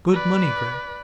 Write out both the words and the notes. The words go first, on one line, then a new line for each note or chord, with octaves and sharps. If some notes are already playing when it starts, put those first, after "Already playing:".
Good money, Gregg.
B4 D5